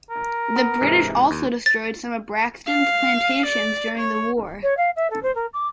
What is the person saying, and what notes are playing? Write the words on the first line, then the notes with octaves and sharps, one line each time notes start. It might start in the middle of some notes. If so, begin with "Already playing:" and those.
The British also destroyed some of Braxton's plantations during the war.
A#4
B3
G#2 C3 E3
D#2
A6
F5
D5
C#5
C#5
F5
E5
A4
C5
A#4
D6